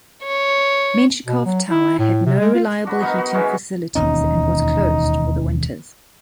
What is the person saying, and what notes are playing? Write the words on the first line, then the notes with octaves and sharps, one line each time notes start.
Menshikov tower had no reliable heating facilities and was closed for the winters.
C#5
B2
F#3
E4
A2
C3
G#3
F4
D4 F#4 B4
B3 D#4 F#4 A#4
F#4
E3 G#3 B3 C#4
E1 D#2 C#4 D#4